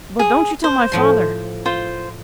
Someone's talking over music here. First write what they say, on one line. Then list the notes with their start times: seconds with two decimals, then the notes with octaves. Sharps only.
But don't you tell my father!
0.19 G#4
0.64 C5
0.92 A2 F3 C6
1.66 F4 C5